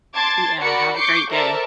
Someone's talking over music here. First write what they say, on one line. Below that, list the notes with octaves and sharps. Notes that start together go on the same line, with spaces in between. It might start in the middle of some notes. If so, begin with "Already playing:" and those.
Yeah, have a great day.
A5 C6 D6 G#6 A6
F#4 A#4 D5 B5 C#7
C#6 D6 G6 C7 C#7
A4 A#4 C5 D5 E5 A5